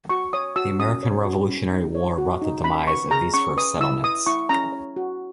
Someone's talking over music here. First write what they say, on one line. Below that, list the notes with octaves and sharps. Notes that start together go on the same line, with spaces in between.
The American Revolutionary War brought the demise of these first settlements.
F#4 C#6
C#5 D#6
F#4 E6
C#4 D#6
C#5
F#4
C#4
D#4
C#5
F#4
D#4
C#4 B5
B4 C#6
G#4 A#5
C#4 C#6
B4 D#6
E4 E6
B4 D#6
E4 C#6
C#4 A#5
C#5
F#4